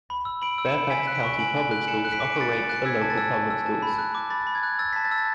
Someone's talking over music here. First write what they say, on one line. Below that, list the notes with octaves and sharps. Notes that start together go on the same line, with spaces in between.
Fairfax County Public Schools operates the local public schools.
B5
E6
B5 D7 F#7
E6
C#7 E7
B5
G#5 B6 D7
F#6
B6 D7
C#6
G#5 D7 F#7
G#5
F#6 F#7
G#5 C#7 E7
F#6
B6 D7
D6 C#7
D7
G#5 A6 C#7
G#5
F#6
C#7
E6 G#6 B6
A5
A6
E6
A5
E6
A5
B5
F#6
D6
B5 A6
B5
G#6
F#6
E6 A6
A5 B6
A6
E6
A6